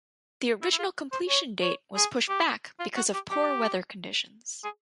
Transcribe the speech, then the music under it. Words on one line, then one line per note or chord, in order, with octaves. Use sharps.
The original completion date was pushed back because of poor weather conditions.
E4
E4
F4
C5
C#5
C#5
G#4
G4
F4
F#4
G4
G4
G#4